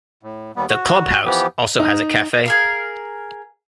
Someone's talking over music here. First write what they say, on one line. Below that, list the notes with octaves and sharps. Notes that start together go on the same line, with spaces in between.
The Clubhouse also has a cafe.
A2
D#2 G3 B3
F#4
E3 F3 B3 G4
D#4
G#4 A#4 F5